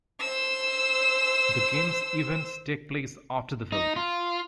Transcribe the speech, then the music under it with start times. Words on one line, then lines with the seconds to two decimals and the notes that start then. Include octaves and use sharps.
The game's events take place after the film.
0.21 C5 E6
3.72 D#4
3.96 F4